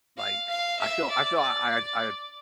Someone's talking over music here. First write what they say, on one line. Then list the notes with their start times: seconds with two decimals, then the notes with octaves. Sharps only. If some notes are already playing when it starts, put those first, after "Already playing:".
Like, I feel I feel I I
0.17 F5
0.48 F5
0.79 E5
1.10 D5